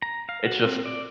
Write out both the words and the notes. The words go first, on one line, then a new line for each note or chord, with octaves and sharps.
it's just
A#5
F5
F#4
C4
D5